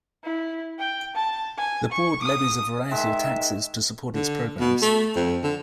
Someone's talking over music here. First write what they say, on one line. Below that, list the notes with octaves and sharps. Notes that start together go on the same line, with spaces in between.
The board levies a variety of taxes to support its programs.
E4
G5
A5
G#5
C#6
D#6
D#3 G#3 E5
D3
B2
A3
F2
D3